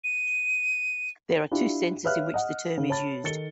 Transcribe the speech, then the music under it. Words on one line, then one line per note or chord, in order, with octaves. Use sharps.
There are two senses in which the term is used.
D#7
D4 E4 F4 G4
B4 C#5 E5 F5 F6 F#6
D#5 F#5
C#3
C#5 A5 B5 A6
D#3 A4 A6 C#7 G7